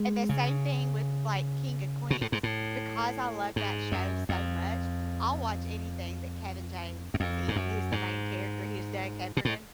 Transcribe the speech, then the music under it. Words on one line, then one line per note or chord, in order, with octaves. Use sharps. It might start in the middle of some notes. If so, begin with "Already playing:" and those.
and the same thing with, like, King of Queens. Because I love that show so much I'll watch anything that Kevin James is in. He is the main character. He is Doug Heffernan.
Already playing: G#3
C#3
B2
A2
G#2
A2
G#2
F#2
F2
F#2
F2
G#2
F#2
G#2
B2
A2